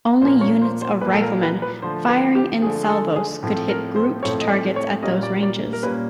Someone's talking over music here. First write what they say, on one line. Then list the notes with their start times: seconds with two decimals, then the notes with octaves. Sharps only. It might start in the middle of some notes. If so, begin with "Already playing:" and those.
Only units of riflemen firing in salvos could hit grouped targets at those ranges.
0.21 A#2 F3 A#3 C5
0.41 C#5
0.62 C5
0.82 C5
1.01 A#2 F3 A#3 B4
1.13 A4
1.22 A#4
1.42 B4
1.62 B4
1.82 D3 F3 A3 C5
2.09 B4
2.35 G4
2.62 D3 F3 A3 G#4
2.83 G#4
2.89 A4
3.16 G#4
3.43 A2 F3 A3 C4
3.69 A#4
3.96 C5
4.22 A2 F3 A3 C4 C#5
4.41 D#5
4.49 D5
4.76 C#5
5.03 A#2 G3 A#3 C#4 D#5
5.23 D5
5.43 D5
5.73 A#4
5.83 A#2 G3 A#3 C#4 B4